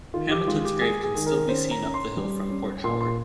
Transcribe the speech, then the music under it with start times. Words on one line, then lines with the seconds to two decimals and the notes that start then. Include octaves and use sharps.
Hamilton's grave can still be seen up the hill from Port Howard.
0.14 D#3 F4
0.31 G4
0.47 G#3 F4
0.64 G4
0.81 G#3 G#4
1.03 G#4
1.15 D#3
1.26 A#4
1.49 C#4 C5
1.71 A#5
1.83 C#4
1.94 C6
2.17 G3
2.50 C#4
2.84 A#2 C6
3.01 C6